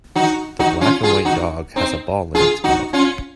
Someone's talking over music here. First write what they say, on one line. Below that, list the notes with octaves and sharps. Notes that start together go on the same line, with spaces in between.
The black and white dog has a ball in its mouth.
D#4 F#4
D#4 F#4
C#4 F4
F4 G#4
D#4 F#4
C4 D#4
F4 G#4
D#4 F#4
C#4 F4